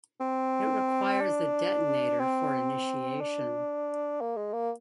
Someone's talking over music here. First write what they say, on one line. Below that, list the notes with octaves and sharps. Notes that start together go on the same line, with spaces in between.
It requires a detonator for initiation.
C4
D4
C4
D4
A#3
G#3
A#3